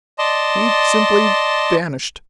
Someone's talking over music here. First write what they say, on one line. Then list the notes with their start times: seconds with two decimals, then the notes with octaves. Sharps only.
He simply--vanished.
0.18 D5 D#5 A5 C6